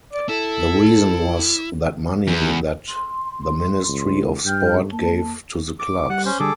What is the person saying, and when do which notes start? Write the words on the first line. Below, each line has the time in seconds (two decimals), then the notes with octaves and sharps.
The reason was that money that the Ministry of Sport gave to the clubs.
0.13 D5
0.29 E4 A4
2.27 E2
2.89 C6
3.88 C#2
4.45 G2 G5 F6 G6
4.92 A#3 A5
5.79 D6
6.10 G3 F#5 F#6
6.25 C#4 C5
6.40 D3 G3 G#4 A4 D6